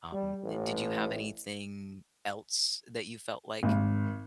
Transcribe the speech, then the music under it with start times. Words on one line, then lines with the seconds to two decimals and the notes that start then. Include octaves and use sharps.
Um, eh, did you have anything else that you felt like,
0.12 G3
0.44 A1
3.63 G#1